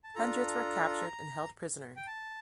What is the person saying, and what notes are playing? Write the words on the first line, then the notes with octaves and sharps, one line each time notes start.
Hundreds were captured and held prisoner.
A5
D4 F4 A4 A#5
G5
A5